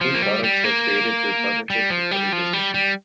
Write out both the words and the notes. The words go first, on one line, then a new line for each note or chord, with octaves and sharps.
New products were created through partnerships with other businesses.
F3
A#3
G3
G3
A#3
G3
F3
G3
F3
G3
G3